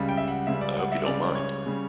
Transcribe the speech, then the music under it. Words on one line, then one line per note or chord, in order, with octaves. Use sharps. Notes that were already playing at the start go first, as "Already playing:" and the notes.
I hope you don't mind.
Already playing: C#2 C#3 G3
G5
E5
F#5
C#2 C#3 G3 E5
D5
F#5
E5
C#2 C#3 G3 D5
C#5
C#3 G3